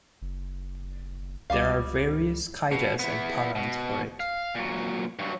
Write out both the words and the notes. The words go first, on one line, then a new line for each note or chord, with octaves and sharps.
There are various Kaidas and Parans for it.
F#1
C#2 G3 F4 F5
B2
B3 E4
B2
F5
A#2 F#3
G2 F#3